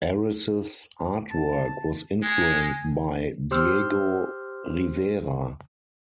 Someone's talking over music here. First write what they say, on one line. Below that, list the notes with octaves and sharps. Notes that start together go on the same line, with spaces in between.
Ariss's artwork was influenced by Diego Rivera.
A5
G#3 G#5
G4 C5 C6 E6 F6